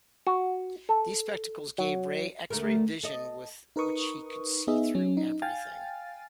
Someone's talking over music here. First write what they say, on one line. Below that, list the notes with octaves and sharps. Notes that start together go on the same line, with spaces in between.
These spectacles gave Ray x-ray vision with which he could see through everything.
F#4
A4
F#3
D2 A3 A#4
A4 D#5
D#4 A#4 B4 C#6 D#6
B3 D#4 G#4 D#5 E5
F#3 C#4
D#4
F5 G5 G#5 F6 A6